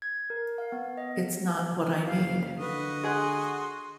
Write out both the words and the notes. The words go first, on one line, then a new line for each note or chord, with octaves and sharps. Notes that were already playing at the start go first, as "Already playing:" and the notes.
It's not what I need.
G#6
A#4
F5
B3
D#5
F#1 F5
D3 F#4 B4 D#5
G#3 G#4 F#5 C6